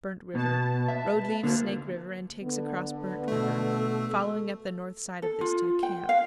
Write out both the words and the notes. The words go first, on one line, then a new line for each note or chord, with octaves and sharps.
Burnt River.--Road leaves Snake River, and takes across Burnt River, following up the north side of this to the camp.
B2 B4 A5
E5
D2 D3 A#3
D3 B3
B2 A3 A4
A4
F4
G5
F5